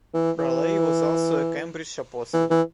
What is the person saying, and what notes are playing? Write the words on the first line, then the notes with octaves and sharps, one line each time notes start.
Raleigh was also a Cambridge Apostle.
E3
E3
E3
E3